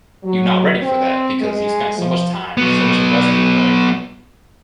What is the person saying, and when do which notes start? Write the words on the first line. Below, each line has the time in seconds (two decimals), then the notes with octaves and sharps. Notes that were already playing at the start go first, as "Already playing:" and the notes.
you're not ready for that because you spent so much time, so much investment like
0.24 F#3
0.82 C4
1.42 G#3
1.97 F3
2.57 F#3 B3